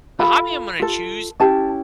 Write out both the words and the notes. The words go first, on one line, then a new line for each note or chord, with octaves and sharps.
the hobby I'm gonna choose
F4 A4 B5
F4 A4
C#4 E4 G4 A5